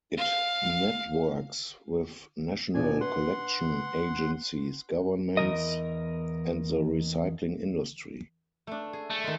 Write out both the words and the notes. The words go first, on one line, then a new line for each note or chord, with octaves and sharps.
It networks with national collection agencies, governments, and the recycling industry.
F5
B2 D4 F4 G#5
B4 F#5 C6
E2 D#3 A#4 D#5
A3 D4
G#4
A3
D#3 G#3